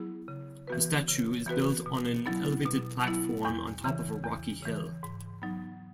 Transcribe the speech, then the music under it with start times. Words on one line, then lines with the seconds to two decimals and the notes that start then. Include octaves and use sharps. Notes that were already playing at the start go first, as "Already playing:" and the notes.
The statue is built on an elevated platform on top of a rocky hill.
Already playing: F#3 B3 E4 G#4
0.28 C#3
0.67 E3 B3 F#4 B4
1.08 C#3
1.46 E3 B3 F#4 B4
1.86 B2
2.26 F#3 B3 E4
2.65 B2
3.04 F#3 B3 E4
3.45 E2
3.84 C#3 E3
4.24 E2
4.63 C#3 E3
5.03 G#2
5.42 F#3 B3 D#4